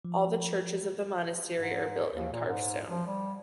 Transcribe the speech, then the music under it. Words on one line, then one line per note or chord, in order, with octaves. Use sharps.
All the churches of the monastery are built in carved stone.
F3
G#2
D#2
A#2
G#2
F3
G3